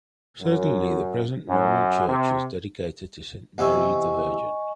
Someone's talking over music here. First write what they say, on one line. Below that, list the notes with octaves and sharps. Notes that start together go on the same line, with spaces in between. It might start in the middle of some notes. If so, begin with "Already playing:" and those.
Certainly the present Norman church is dedicated to Saint Mary the Virgin.
F#2
F#2
C3
E2 C3 E4 D#5 G#5 C#6